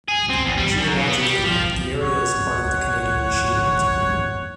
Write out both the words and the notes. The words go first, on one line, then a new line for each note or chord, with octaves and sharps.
Geologically, the area is part of the Canadian shield.
G#4
C4
E2
G3
F#2
B2
B3
G3
F3
C#5 F#5